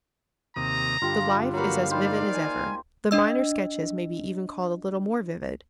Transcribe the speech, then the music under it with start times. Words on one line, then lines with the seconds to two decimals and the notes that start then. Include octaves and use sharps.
The life is as vivid as ever; the minor sketches may be even called a little more vivid.
0.56 D#2 C3 A#5 D#6
1.02 G2 D3 F4 G4
1.53 F#3 A#3 F#4 G4 B4 F5
1.91 G3 D#4 C5 D5 F5
2.34 G#5
3.11 D4 D#5 E6